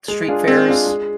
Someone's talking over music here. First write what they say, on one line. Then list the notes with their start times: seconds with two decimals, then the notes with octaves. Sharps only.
street fairs.
0.08 G#3
0.28 D4 F4 G#4
0.48 G#3 C4
0.68 D4 F4 G#4
0.87 G#3